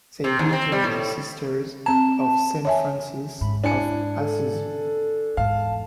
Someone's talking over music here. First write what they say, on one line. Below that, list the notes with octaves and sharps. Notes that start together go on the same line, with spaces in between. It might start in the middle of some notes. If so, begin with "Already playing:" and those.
They became the Sisters of Saint Francis of Assisi.
C3
D#2
C4
G3
A2
C4 A5 A#5
C#5 E5 G#5
G#2 B5
D4 E4 G#5 C#7
A4
E2 G#2 F5 A5